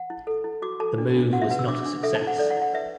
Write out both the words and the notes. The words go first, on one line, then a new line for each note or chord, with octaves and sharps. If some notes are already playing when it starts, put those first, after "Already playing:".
The move was not a success.
Already playing: F#5
E4
A4
E4
F#4 D6
A4 A5
D4
D4
F#4 F#5
E5
B4 F#5
E6
D4 D6
D4
A4 E5
A5
E4
F#5
A4 D5
F#5
E4
F#5
B4 E5